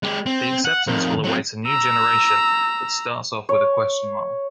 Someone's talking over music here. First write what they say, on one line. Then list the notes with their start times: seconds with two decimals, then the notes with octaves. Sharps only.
The acceptance will await a new generation that starts off with a question mark.
0.03 G#3 G4
0.26 C4
0.65 F#5
0.87 F2 D#3
1.24 F#3 C4
1.67 A#5 E6
3.49 C#5